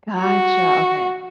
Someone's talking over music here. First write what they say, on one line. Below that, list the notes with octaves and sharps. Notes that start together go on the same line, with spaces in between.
Gotcha. Okay.
F#4